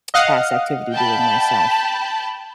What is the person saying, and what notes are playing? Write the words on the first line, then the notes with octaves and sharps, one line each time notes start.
past activity doing myself,
D#5 F5 F#5
G5 A5 B5